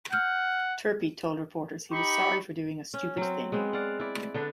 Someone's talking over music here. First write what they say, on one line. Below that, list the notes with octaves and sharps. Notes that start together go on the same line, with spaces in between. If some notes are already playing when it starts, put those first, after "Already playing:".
Turpie told reporters he was sorry for doing a "stupid thing".
F#5 F6 G6
D#4 G4 B5 C#6
C#4
F#3 C4
G#3 B3 C4
D5 F5 F#5
E4 D5
D3 B3 D4